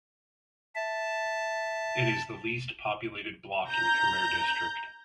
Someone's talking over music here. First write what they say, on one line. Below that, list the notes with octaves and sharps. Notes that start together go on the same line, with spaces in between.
It is the least populated block in Kaimur district.
E5 A5
A#5 G6